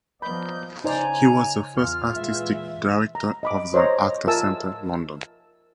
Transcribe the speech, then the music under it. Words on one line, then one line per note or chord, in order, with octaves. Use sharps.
He was the first Artistic Director of The Actors Centre, London.
F3 B3 A#4 D5 D#5 B5 G6
C#3 D#4 C5 D5 G#5 A#5
E2 F4 F6
A#2 E3 G#3 E5
A#5
D#5 B5 D6
C5 C#5 D#5 A#5
F4 A#4 E5 G#5 A5 E6